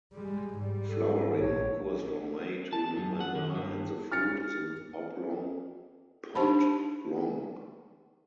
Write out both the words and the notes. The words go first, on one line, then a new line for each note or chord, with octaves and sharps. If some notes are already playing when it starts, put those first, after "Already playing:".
Flowering occurs from May to November and the fruit is an oblong pod long.
G3 G#3
G#2 G3
A4
A#1 C#5
A5
F#2
F#5
D#3
G2
F6 A6 C#7
D4 D#4 G4 C5 A5 B5